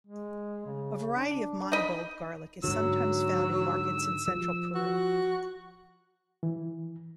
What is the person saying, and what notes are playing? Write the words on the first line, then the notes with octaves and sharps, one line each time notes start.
A variety of monobulb garlic is sometimes found in markets in central Peru.
G#3
C#3
D4
D#4 D#5 B5
G#2 D3 F#3 E6
F3
F#4
E3